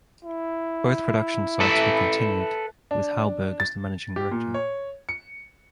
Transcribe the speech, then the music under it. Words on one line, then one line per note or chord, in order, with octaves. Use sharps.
Both production sites were continued with Hauberg as the managing director.
E4
A4 B4 E5
D4
A6
G4
A#2
C#5
C#7